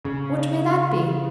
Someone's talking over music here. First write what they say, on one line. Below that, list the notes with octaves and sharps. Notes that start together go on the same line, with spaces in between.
"What may that be?"
C#3